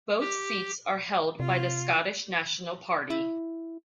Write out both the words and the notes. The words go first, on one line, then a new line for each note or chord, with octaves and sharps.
Both seats are held by the Scottish National Party.
G4
C3 F4
E4